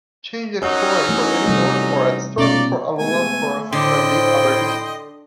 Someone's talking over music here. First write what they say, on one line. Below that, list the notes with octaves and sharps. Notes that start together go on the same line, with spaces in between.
Change at Croy for Edinburgh or at Stirling for Alloa, Perth, Dundee, Aberdeen.
F#2 C#4 D#4 C#5 F#5
E3 A3
C3 G3 A3
B2 C#4 D#4 F4 D5
C3 G#3 A3 B3 G#5
A2 D3 C5 D#5 G5 C6